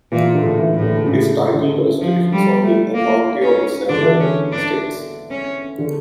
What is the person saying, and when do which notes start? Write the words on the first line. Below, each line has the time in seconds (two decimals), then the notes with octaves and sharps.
It is titled, Restrictions on the Authority of the Several States.
0.12 A#2 E3
0.35 D3
0.43 A2
0.59 E3
0.74 A2
0.82 D3
1.05 C#3
1.53 D3
2.01 F3
2.33 G3
2.63 A3
2.95 A#3
3.42 C#4
3.89 D3 D4
4.02 E3
4.14 D3
4.20 C#4
4.52 D4
5.31 C#4
5.78 D3